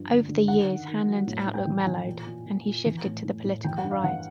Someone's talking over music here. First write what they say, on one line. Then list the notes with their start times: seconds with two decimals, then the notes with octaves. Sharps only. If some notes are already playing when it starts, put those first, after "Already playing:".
Over the years Hanlon's outlook mellowed, and he shifted to the political right.
Already playing: G2 F3
0.09 D3
0.29 D3
0.48 D#3 F#5
0.68 D#3
0.88 D#3
1.08 F#3
1.27 A2
1.47 A2
1.54 G5
1.67 E3
1.80 G#5
1.86 E3
2.07 A#2
2.27 A#2
2.46 A#2
2.66 A#2
2.86 E3
3.05 A2
3.25 A2
3.45 A2
3.64 E3 G5
3.78 F#5
3.84 G2
3.91 F5
4.04 E3 F#5